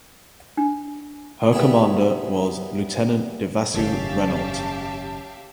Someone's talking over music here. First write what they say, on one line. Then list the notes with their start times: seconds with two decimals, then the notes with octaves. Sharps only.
Her commander was "Lieutenant de vaisseau" Renault.
0.57 D4
1.53 G3 B3 E4 G#4
3.74 F#1 G#2 D#3 C#4 G4 E5 F5 A5